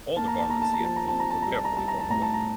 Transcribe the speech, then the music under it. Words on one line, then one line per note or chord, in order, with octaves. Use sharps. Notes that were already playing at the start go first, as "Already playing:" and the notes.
All the garments he had worn were carefully thrown away.
A#3 A5
A#5
A5
A#3 A#5
A5
A#5
F3 A5
A#5
C4 A5
A#5
A5
C2 A#5
A5
A#5
C2 A5
A#5
A5
A2 A#5
A5
A#5